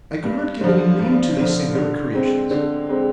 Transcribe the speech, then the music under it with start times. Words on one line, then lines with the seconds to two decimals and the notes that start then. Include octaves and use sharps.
I could not give any name to these singular creations.
0.24 G2
0.61 D3 F3
0.99 G2
1.37 D3 F3
1.75 D3
2.13 G#3 C4
2.51 D3
2.89 G#3 C4